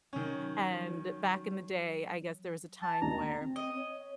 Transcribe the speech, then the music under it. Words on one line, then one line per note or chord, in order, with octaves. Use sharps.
and back in the day, I guess there was a time where,
D#3 F#3 C#4
A5
D#2 B2 D4 A#5
C4
D#5
C#5